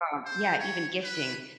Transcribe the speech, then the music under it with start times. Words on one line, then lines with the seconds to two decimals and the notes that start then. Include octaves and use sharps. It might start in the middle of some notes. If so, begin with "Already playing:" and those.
um yeah, even gifting,
0.25 C5
0.59 C#5
1.03 B4